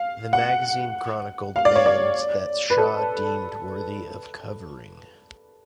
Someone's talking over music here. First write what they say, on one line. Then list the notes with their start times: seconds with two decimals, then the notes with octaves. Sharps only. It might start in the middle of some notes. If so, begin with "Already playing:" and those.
The magazine chronicled bands that Shaw deemed worthy of covering.
Already playing: F5
0.33 F#5
1.56 F5
1.65 D5
1.76 C#5
1.86 D5
2.70 B4
2.78 A4